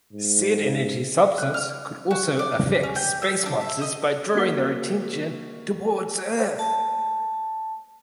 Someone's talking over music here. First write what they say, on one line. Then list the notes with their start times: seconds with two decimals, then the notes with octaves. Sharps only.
Said energy substance could also affect space monsters by drawing their attention towards Earth.
0.13 G#2
1.38 F#6
1.54 F6
2.11 F#4
2.39 D5
2.83 C#4
2.95 G5
3.22 E6
3.46 D4
3.61 E5
3.81 D#5
4.35 A#3 F#4 B6 G7
6.59 A5